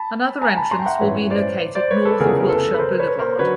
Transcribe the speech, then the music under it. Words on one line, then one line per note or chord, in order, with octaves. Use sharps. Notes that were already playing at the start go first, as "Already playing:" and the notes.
Another entrance will be located north of Wilshire Blvd.
Already playing: A5 B5
G#5 A#5
A5 B5
A#5 C6
G5
E5 F#5
A1 G2 E3 B4 C#5
C5 D5
C5 D5
B4 C#5
A4 B4
F1 E2 C#3 F3 G#4 A#4
A#4
A4 B4
B4
A#4 C5
B4 C#5
A#4 C5
D3 F#3 B4 C#5